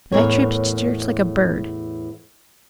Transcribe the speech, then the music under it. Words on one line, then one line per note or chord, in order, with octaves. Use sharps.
But I tripped to church like a bird.
E2 A2 A#4 C#5